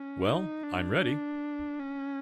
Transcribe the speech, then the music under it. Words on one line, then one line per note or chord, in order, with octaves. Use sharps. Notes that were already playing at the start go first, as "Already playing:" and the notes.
Well, I’m ready.
Already playing: C#4
D#4
D4
D4
C#4